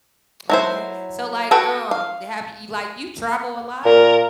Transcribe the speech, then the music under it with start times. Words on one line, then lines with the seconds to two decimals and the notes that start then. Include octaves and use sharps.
Okay. So, like, um, they have you like, you travel a lot?
0.50 F#3 E4 C5
1.51 F#4 A4 B4 G5
1.91 F5
3.85 A#2 A#4